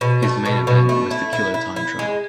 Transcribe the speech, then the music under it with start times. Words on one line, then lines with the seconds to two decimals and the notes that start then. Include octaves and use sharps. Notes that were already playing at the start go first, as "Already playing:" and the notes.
His main event was the Kilo Time Trial.
0.01 B2
0.22 A3
0.45 B2
0.67 B2
0.89 A3
1.11 E4
1.33 E4
1.54 E4
1.76 E4
1.99 G#3